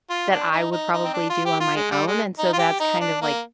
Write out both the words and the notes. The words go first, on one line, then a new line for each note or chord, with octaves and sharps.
that I would probably do on my own, and so that's kind of, like
F4
D4
D#4
D#4
D#4
C4
D4
F4
G4
F4
G#3
G3
G#3
D#4
F4
G4
D#4
D4
A#3